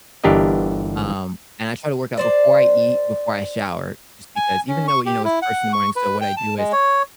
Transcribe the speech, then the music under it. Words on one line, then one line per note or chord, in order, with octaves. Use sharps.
um, and I try to work out before I eat, before I shower, just because even though, you know, it's first in the morning so what I do is
G1 E3 D4 G4 A#4 D#5
D4 C5 D5
G#5
C#4
C#6
G4
E4
F#5
C#6
B4
G5
A5
G#3
C#5